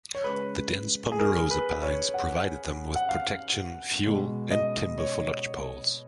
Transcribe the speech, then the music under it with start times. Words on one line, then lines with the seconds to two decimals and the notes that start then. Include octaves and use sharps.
The dense Ponderosa Pines provided them with protection, fuel, and timber for lodgepoles.
0.15 C#5
0.24 C#3 G#3 B4
1.12 G#4
1.19 A#4
1.51 B4
1.82 C#5
2.14 F#5
2.96 F#5
3.09 F5
4.04 B2 G#3
4.51 D#5
4.98 C#5